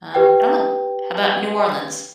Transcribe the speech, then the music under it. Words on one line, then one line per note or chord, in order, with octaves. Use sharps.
Um, I don't know. How 'bout New Orleans
G4 B4 G5